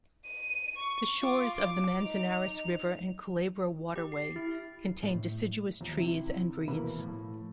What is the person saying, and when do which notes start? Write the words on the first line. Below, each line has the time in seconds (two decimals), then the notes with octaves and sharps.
The shores of the Manzanares River and Culebro Waterway contain deciduous trees and reeds.
0.25 D#7
0.77 C#6
1.22 F4 D6
1.54 D6
2.01 D#4 F7
3.96 G4
4.12 C7
4.36 E4
5.03 A2
5.81 D#2 F3
5.97 C3 E4
6.68 D#2 B2 E3 A#3 B5
6.99 A2 F3